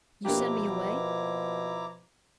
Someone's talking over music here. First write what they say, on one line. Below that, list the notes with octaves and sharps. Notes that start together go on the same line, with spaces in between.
"You send me away?"
B2 F3 A#3 D4 E4 G4 A#5 D6